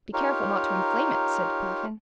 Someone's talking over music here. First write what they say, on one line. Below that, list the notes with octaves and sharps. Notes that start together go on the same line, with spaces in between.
"Be careful not to inflame it," said Puffin.
D#4 F4 G4 A#4 C#5